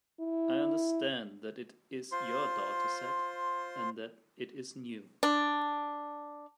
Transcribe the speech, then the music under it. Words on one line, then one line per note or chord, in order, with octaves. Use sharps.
I understand that it is your dataset, and that it is new.
E4
F4 C5 C6
D4